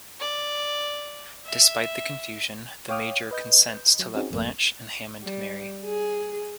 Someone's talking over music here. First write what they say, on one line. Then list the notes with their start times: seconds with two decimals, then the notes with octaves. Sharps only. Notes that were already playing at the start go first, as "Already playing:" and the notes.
Despite the confusion, the Major consents to let Blanche and Hammond marry.
0.21 D5
1.46 E5
2.89 C#5 F5 G5 D6 D#6 F6
3.31 B4 D#5 G6
3.99 F#3
4.15 C4 C#4 D#4 F#4 G#4
4.30 G#1 F2 A3 A#3
5.23 G3
5.86 G#4